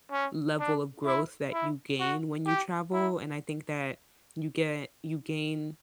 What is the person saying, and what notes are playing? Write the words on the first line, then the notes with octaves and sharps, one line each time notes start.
level of growth that you gain when you travel, and I think that you get you gain,
C#4
D4
E4
E4
F#4
G4
E4